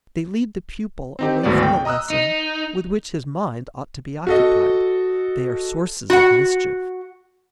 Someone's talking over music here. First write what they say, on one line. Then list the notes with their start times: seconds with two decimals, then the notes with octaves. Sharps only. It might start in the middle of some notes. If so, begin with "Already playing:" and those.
They lead the pupil away from the lesson with which his "mind" ought to be occupied; they are sources of mischief.
1.19 C4 D#4 G4
1.43 G#1 D2 A2 F#3 B3 D5
1.63 G5
1.85 D#5 A#5 D#6 E6 F#6
2.10 D#4
4.27 F#4 A4 D#5
6.10 F#4 F#5